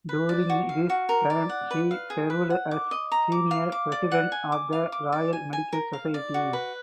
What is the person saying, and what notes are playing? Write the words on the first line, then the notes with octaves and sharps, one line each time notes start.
During this time he served as senior president of the Royal Medical Society.
B4
D5
F#4
F5
F#4
A#4
D5
F#5
B4
F5
G#4
B4
F#5
D6
D#5
A#5
D6
F5
D6
D5
F#5
G#5
D6
F5
D6
D5
G#5
G#5
A#4
F5
D5
F#4
B4